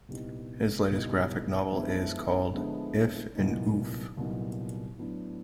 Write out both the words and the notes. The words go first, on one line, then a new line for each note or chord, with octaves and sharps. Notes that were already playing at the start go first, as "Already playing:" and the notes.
His latest graphic novel is called "If n' Oof".
C2 A#2 G3 B3 D#4
C2 A#2 G3 B3 D#4
D3 F3 G#3 B3 E4
D3 F3 G#3 B3 E4
C2 A#2 F#3 B3 D#4
C2 A#2 F#3 B3 D#4
A2 F#3 B3 D4